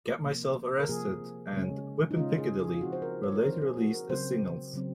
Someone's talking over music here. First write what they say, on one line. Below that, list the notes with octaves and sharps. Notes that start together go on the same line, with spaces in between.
"Get Myself Arrested" and "Whippin' Piccadilly" were later released as singles.
C3 F3 A#3
A#4
C3 F3 A#3 G#4
C#3 G#3 C#4
D#4
C#3 G#3 C#4 F4
G#4
G#4
F4
F3 C4 D#4 F#4
C5
A#4
C#5
A#4
F3 C4 D#4 C5
G#4
F#4
A#4
C#3 F#3 C4 C5
C#3 F#3 C4